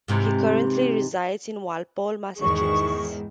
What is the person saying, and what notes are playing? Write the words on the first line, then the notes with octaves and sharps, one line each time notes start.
He currently resides in Walpole, Massachusetts.
G#2 C3 E3
E2 G#2 D#3 G#4 C#6